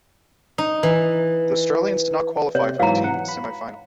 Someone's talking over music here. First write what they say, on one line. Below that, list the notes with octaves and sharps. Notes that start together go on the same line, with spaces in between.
The Australians did not qualify for the team semifinal.
D#4
E3
C3 C#5
G#2 E3 F#3 F5 A#5
F#5
B5